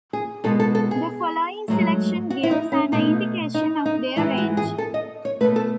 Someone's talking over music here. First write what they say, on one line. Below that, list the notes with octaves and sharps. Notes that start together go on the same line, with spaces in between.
The following selection gives an indication of their range.
G#4
B2 G#3 A4
A4
A4
G#4
G#2 F#3 A3
F#4
E4
D#4
C#4
B2 A3 D#4
D#4
D#4
G#2 E3 G#3 E4
F#4
G#4
A4
D#5
C#5
B2 A3 B4
A4